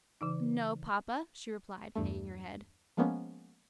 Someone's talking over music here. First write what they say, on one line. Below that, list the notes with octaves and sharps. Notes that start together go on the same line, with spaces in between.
"No, papa," she replied, hanging her head.
C#3 E3 D#4
E2 G2 A3
F3 G#3 A#3 B3 C#4